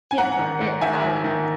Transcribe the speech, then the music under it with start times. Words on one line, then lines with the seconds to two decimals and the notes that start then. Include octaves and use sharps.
you know, it uh,
0.11 G#5
0.18 G#2 F#5 A#5
0.39 D#3
0.61 G#2
0.81 D#3 E5 G#5
1.02 G#2
1.24 D#3